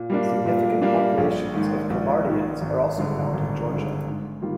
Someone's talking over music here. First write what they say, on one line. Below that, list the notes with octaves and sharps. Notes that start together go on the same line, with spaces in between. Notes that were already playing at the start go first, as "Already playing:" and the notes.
Significant populations of Kabardians are also found in Georgia.
Already playing: A#2
G3 A#3 D4
A#2
G3 A#3 D4
A#1
G#2 D#3
A#1
G#2 D#3
G#1
G2 D3 G#3
G#1
G2 D3 G#3
G#2
D#3 G3 A#3 F4